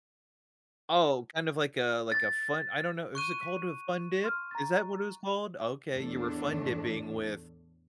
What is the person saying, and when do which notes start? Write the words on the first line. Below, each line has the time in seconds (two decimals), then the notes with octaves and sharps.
Oh, kind of like a like a fun I don't know, is it called a fun dip? Is that what it was called? Okay, you were fun dipping with
2.12 A6
3.15 C#6 F#6 D#7
3.41 B6
4.24 C6 F6
4.51 A#5 A6
5.93 E2 A2 A3 D4